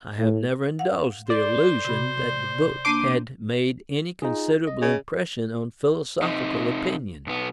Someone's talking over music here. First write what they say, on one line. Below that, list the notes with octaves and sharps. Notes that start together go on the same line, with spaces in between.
I have never indulged the illusion that the book had made any considerable impression on philosophical opinion.
A2
F5 F#5
A4 C5 D5
C3 F#4 B5
A#3 D4 A5 D6 C7 D#7
D#4 F4 G#4
D#5
C#3
C3 D#4
B1 B3